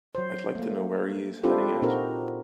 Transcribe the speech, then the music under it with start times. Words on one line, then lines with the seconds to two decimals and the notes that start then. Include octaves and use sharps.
I'd like to know where he is heading at.
0.15 F#3 C5
0.55 A3 A#3
1.43 C4 D4 E4 F4 G4 A4
1.82 A#2 C4 D#4 F#4 A#4